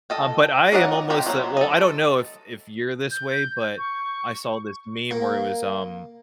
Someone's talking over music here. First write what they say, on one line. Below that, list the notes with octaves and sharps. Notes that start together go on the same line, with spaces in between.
Um, but I am almost well, I don't know if if you're this way, but I saw this meme where it was, um,
A4 D#5 G5
C#4 D#4 D5 D#5 F#5
B3 C4 G4 G5 A#5
F#3 B3 C4
A4 D#5
G6
C#6
A#3